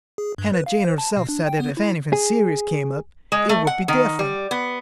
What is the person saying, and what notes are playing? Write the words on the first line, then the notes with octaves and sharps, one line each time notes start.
Hannah Jane herself said that if anythin' 'serious' came up it would be diff'rent.
G#4
G2
B4
F5
C5
A5
B2
D4
G5
B3
E4
G#4
G#3
A3
F#5
D#3
G3
B3